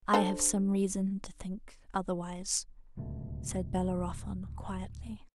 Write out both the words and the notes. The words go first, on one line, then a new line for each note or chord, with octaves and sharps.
"I have some reason to think otherwise," said Bellerophon, quietly.
D4 A4 C5
D1 C#2 B2 A3